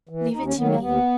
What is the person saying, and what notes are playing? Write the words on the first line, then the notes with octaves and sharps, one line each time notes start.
Leave it to me.
E3
D#2 D#4
C#4
D#3 F#3 B3
A#3
D#2 B3